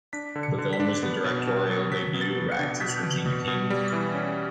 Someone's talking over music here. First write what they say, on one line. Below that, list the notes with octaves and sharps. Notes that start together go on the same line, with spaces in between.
The film was the directorial debut of actress Regina King.
D4 B6
D3
C#7
D3
B6
D4
B3
B2
B2
F#3
F#3 B6
B2
A6
B3
C#7
D4
B2 B6
B2
B2
B2
G3
E3
C#4